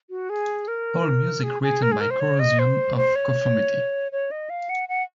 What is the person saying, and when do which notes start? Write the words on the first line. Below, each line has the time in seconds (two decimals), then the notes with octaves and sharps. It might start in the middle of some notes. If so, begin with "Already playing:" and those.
All music written by Corrosion of Conformity.
0.10 F#4
0.30 G#4
0.68 A#4
1.43 G#4
1.62 G#4
1.82 A#4
1.92 G#4
2.01 A#4
2.10 C5
2.20 C#5
2.40 D#5
2.59 C5
2.97 C5
3.15 C#5
4.12 C#5
4.31 D#5
4.50 F5
4.69 F#5
4.89 F#5